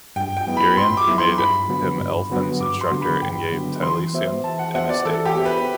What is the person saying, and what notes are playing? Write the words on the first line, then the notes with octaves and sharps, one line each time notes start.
Urien made him Elffin's instructor, and gave Taliesin an estate.
G2 G5
G5
F#3 B3 E4
B5
G2 C6
D6
F#3 B3 E4
C6
G2 B5
D3 F#3 B3 F#4
G2
D3 F#3 B3 F#4
G2 D6
C6
D3 F#3 B3 F#4
B5
G2 G5
D3 F#3 B3 F#4
E3 C6
B3 F#4 C5 E5
E3 A5
F#5
B3 F#4 C5 E5 F#5
D5
E3 A4
G4
B3 F#4 C5 E5
B4